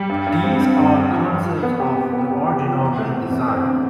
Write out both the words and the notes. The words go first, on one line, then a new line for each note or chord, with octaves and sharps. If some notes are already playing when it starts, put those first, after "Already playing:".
These are concepts of the original van design.
Already playing: G3
G2
G2
C4
C4
G2
G2
F3
G2
F3
B3
G4
G4
B3
G4
G4
F3
E2
A3
C4
E2
C4
D3